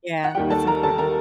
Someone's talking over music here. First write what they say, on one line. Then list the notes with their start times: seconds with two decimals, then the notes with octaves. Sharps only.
Yeah, that's important.
0.24 F#5
0.35 D#2 D#3 G3 G4 G5
0.50 A4 A5
0.67 A#4 A#5
0.83 A4 A5
0.98 A#4 A#5